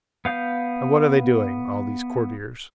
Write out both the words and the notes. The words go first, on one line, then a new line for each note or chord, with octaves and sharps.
And what are they doing, all these courtiers?
B3 F5 G6